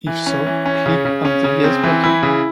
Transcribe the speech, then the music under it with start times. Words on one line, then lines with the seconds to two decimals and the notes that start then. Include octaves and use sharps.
If so, click on the Yes button.
0.07 E3
0.26 C#4
0.46 E3
0.66 C#4
0.86 C#3
1.05 C#3
1.25 C#4
1.44 C#3
1.64 C4
1.84 E3
2.04 E4
2.23 C#3